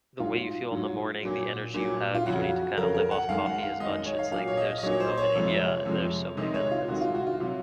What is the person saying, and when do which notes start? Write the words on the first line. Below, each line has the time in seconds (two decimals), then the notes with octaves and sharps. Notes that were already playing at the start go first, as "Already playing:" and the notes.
the way you feel in the morning, the energy you have, you don't need to kinda live off coffee as much, it's, like, there's so many yeah, there's so many benefits.
0.20 G#2 F#3 F4
0.72 G#2 F#3
1.23 A#2 F#3
1.74 A#2 F#3
2.15 F4
2.26 F2 C#3 F#3 F#4
2.77 F2 C#3 F#3 A#4
2.94 A#4
3.11 F#5
3.29 F#2 D#3 G#3 F5
3.46 F#5
3.63 F5
3.80 F#2 D#3 G#3 D#5
4.06 C#5
4.19 F5
4.31 A#2 F#3 F5
4.48 C#5
4.57 D#5
4.78 D#5
4.83 A#2 F#3 C#5
5.00 C5
5.17 C#5
5.35 F2 C3 F3 G#3
5.85 F2 C3 F3 G#3
6.37 C3 D#3 G#3 D#5
6.54 C#5
6.71 F4
6.88 C3 D#3 G#3 F#4
7.01 F4
7.14 F#4
7.27 F4
7.40 C3 F#3